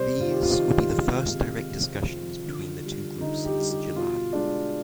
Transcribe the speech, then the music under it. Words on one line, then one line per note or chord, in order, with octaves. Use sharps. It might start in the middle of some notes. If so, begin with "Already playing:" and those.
These would be the first direct discussions between the two groups since July.
Already playing: C3 G3 C5 D5
C3 F4
G4
F4
D#3
G#3
C3
C3
F3
D3
G3
D3 D#4
G4
G3
G4
B2 F4
G#3 D4